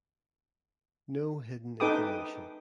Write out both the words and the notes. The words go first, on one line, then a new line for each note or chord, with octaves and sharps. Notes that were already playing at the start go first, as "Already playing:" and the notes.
No hidden information.
D#4 A4 B4 G5 D6 D#6